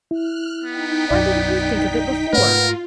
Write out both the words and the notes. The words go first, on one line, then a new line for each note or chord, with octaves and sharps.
"Why didn't we think of it before?"
E4 F6 F#6
B3 D#4 G5 B6
B1 F#2 D5
G#2 A3 F4 A#4 B4 F#5